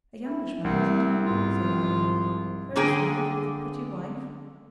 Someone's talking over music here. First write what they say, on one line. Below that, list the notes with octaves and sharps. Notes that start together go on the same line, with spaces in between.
'A youngish man, isn't he?' said I, 'very smart, with a pretty wife?'
E4
C2 A3 A#3 C4
G#2 B3 F4
G#2 F3
D3 A#3 G#4 G5